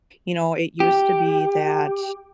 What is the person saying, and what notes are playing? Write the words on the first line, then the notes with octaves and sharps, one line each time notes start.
You know, it used to be that,
G4